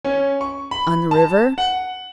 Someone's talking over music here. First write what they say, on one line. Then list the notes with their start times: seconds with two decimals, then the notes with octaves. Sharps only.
"On the river?"
0.04 C#4
0.41 C#6
0.71 B5
1.11 A5
1.58 F#5